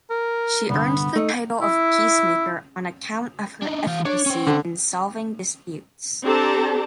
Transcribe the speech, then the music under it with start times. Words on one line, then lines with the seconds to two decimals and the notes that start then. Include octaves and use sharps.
She earned the title of "Peacemaker" on account of her efficacy in solving disputes.
0.10 A#4
0.70 C2 G2 D3 B3
1.16 A3 D#4
1.61 E4
3.62 D4 D#4
3.87 E3 F5
4.05 D4 C#5 D5
4.26 C#4 C5
4.47 D3
6.23 C4 D4 G4 A4 A5 A#5